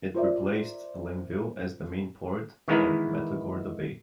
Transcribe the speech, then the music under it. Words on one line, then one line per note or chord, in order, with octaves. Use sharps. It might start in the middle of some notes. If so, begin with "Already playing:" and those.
It replaced Linnville as the main port on Matagorda Bay.
F4 A#4 C5 D5 E5
D#3 E3 G#3 B3 E4 A#4